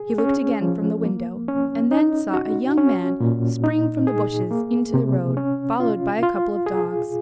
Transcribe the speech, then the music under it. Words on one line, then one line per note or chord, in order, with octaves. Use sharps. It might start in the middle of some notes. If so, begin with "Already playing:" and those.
He looked again from the window, and then saw a young man spring from the bushes into the road, followed by a couple of dogs.
Already playing: G#4
C#4
F3
A#3
C#4
D#4
F#4
C#4
A#2
D#4
G#4
A#3
C3
C#4
F4
F4
G#4